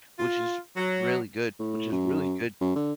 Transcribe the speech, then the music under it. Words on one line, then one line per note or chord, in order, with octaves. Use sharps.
which is really good which is really good
F4
F#3
A2
F#2
F#2
D3